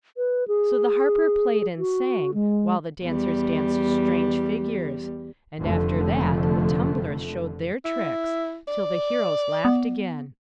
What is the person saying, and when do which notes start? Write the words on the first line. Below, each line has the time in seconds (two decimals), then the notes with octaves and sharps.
So the harper played and sang, while the dancers danced strange figures; and after that the tumblers showed their tricks, till the heroes laughed again.
0.17 B4
0.48 G#4
1.78 F#4
2.34 G#3
3.04 E2 G3
5.60 F1 F2 D3 F3 A3
7.85 E4
8.68 D5
9.65 B3